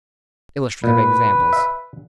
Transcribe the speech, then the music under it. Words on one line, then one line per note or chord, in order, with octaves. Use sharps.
Illustrative examples.
A#2 B4
E5